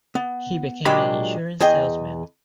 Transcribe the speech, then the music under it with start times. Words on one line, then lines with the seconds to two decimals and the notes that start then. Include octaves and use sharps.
He became an insurance salesman.
0.15 B3
0.85 A#2 F#3 G#3 D4 G4 B5
1.60 E2 G#4 D#5 G5